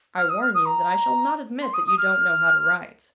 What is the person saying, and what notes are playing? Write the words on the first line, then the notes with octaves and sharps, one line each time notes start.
"I warn you that I shall not admit that you don't know how to write."
F6
D#6
F6
D#6
A#5
C6
D#6
D#6
F6